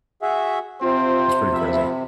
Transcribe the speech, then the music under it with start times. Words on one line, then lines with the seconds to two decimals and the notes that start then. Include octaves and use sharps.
It's pretty crazy.
0.22 F#4 G#4 E5
0.82 C3 C4 F4 C5
1.53 F3 E5 B5